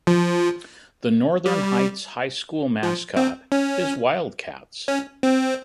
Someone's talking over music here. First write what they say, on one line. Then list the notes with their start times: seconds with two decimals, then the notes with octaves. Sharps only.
The Northern Heights High School mascot is Wildcats.
0.07 F3
1.46 G3
2.83 F3
3.17 C4
3.52 C#4
4.88 C#4
5.23 C4